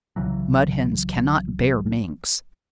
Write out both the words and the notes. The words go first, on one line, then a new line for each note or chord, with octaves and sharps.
Mud Hens cannot bear Minks.
C2 C#3 E3 F#3